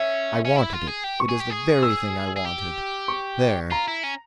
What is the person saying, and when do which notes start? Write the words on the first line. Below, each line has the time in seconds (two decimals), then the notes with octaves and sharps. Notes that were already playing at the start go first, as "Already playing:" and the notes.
I wanted it: it is the very thing I wanted--there.
Already playing: C#4 E5
0.45 C#4
0.56 E4
0.73 F4
0.87 G#4
1.04 G4
1.20 C#6
1.29 G#4
1.40 G4
1.51 G#4
1.83 E6
2.37 G#4
2.46 G4
3.08 C#6
3.71 F4 A#5
3.88 E4
4.04 C#4